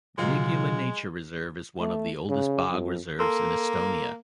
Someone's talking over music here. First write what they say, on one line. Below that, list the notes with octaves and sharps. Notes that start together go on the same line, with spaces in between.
Nigula nature reserve is one of the oldest bog reserves in Estonia.
B1 F2 C#3 F#3 G#3 F4
A3
C#3
F2
A#3 A4 C6 E6